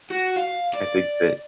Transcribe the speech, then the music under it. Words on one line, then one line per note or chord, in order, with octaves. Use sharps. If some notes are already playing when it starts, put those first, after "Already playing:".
I think that
F#4
F5
D5